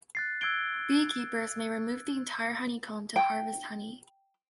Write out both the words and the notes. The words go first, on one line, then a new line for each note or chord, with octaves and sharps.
Beekeepers may remove the entire honeycomb to harvest honey.
F#6 A6 C7
E6 F#6 G#6 C7 D7 G7
G5